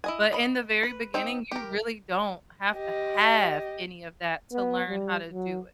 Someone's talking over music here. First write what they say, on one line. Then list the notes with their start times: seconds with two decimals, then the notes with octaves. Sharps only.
But in the very beginning, you really don't have to have any of that to learn how to do it.
0.04 E4 D#5 G#5
0.33 D#5 B5
0.83 B4
1.14 C4 D#4 G5
1.51 G4 A#4
2.74 G4 D#5
4.52 B3
4.89 G3
5.31 F#3